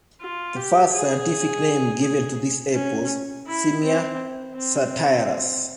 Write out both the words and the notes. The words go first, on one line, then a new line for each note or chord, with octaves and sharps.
The first scientific name given to this ape was "Simia satyrus".
F4
G4
G#4
G#4
C#4
E4
C4
C4